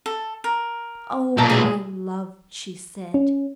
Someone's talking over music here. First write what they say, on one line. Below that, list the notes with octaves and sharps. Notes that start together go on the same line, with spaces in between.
"Oh, my love!" she said.
A4
A#4
B1 A#2 A4 A5 A#5
E3 F#3 A3 G#4
C#4